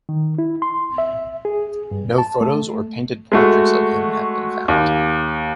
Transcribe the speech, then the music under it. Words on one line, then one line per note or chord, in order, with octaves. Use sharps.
No photos or painted portraits of him have been found.
D#3
E4
C6
E5
G#4
G2
A5
A3
G#3 A3 F#4
D#2